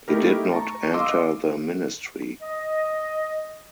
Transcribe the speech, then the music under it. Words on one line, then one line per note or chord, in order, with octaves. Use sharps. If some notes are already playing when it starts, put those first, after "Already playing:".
He did not enter the ministry.
A3 A#3 D#4 E4 G4 A#4
A5 A#5 C#6
D#5 F5 C6 D6 E6
D#5